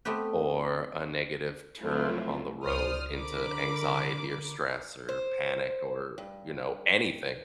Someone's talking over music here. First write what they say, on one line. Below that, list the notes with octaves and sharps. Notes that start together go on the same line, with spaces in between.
or a negative turn on the road into anxiety or stress or panic or, you know, anything,
A3 B3 C4 G4 B4
F3 F#3 A3 C4 E4 F4
C#2 C5 D5 D#6 F6
D3 A#4 B5 D6
C5
G2